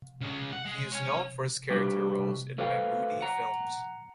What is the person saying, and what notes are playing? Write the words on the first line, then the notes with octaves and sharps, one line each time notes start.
He is known for his character roles in Mammootty films.
C#3 G#3
F#5
G#3
C#5 G#5
C3 G3 D4 F#4 G4 B4
A3 F#4 B4 C5 F5 G5
F#5 A#5